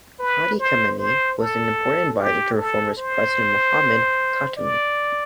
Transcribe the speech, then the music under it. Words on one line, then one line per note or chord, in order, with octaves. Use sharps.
Hadi Khamenei was an important adviser to reformist President Mohammad Khatami.
B4
C5
C5
A4
G4
A4
C5
D5